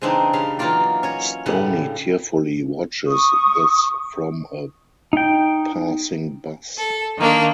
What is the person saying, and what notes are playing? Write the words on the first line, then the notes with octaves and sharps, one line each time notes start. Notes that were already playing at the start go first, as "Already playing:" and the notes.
Stoney tearfully watches this from a passing bus.
C#3 E3 G#3 C4 D4 D#4
C#3 G3 F5
E3 F#3 A#3 D#4 F4 D5
C#4 C#5 A#5
A2 C#3 G3 D4 F#5
C#6 D#6
D#4 G5
A4
D#3 A#3 D4